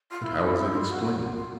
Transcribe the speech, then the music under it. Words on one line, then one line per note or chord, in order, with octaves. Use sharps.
"And how is it explained?"
F4
E4
D#4
E4
F4
F#4
F#4
F4
F4